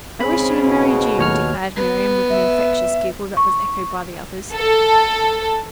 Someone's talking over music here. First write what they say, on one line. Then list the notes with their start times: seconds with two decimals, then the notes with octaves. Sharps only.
"I wish you a merry June," declared Miriam with an infectious giggle that was echoed by the others.
0.20 G#2 C#3 C4 G#4 B5
0.66 B2
1.19 D#2 A2 C#5 F6
1.76 B3
2.29 E5
3.37 C#6
4.54 A4